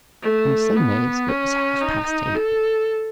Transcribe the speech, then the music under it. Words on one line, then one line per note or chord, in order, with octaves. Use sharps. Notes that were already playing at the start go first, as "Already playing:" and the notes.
On Sundays it was half-past eight.
A3
B3
C#4
D#4
A4